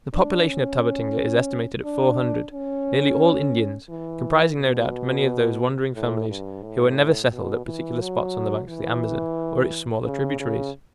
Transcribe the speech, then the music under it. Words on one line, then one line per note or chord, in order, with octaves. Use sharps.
The population of Tabatinga is estimated at four hundred, nearly all Indians, comprising, no doubt, many of those wandering families who are never settled at particular spots on the banks of the Amazon or its smaller tributaries.
D4
C#4
D4
C#4
E3
B2
A2
G2
A2
B2
E3
F#3
E3
C#3
C#3